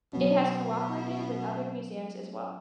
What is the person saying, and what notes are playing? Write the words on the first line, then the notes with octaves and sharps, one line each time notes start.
It has cooperated with other museums as well.
B2 F#3 B3 C#4